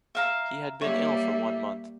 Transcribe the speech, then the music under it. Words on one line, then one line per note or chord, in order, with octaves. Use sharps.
He had been ill for one month.
E5 F5 A#5
G3 A#3 C#5 E5